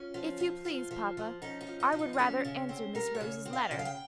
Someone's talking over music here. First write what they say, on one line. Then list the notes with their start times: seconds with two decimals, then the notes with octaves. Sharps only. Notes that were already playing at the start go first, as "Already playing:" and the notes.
"If you please, papa, I would rather answer Miss Rose's letter."
Already playing: C#4 F4
0.14 F3
0.40 F3
0.65 F3 F4
0.91 F3
1.17 F3
1.42 C#4 D#4
1.61 D#4
1.67 F3
1.80 D#4
1.92 F3
1.99 D#4
2.13 D#4
2.18 C#3 C#4
2.45 C#3
2.69 C4
2.95 G3 A#4
3.15 C#5
3.21 C#3
3.45 C4
3.53 F5
3.71 C#3 G5
3.79 F5
3.85 G5